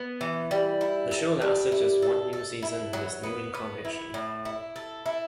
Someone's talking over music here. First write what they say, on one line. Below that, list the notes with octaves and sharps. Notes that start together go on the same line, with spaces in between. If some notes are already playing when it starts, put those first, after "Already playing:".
The show lasted just one season in this new incarnation.
Already playing: B3
E3
G3
E4
A4
G3
E4
A4
A4
E4
F#3
B3
B3
E4
A2
E4
A4
E4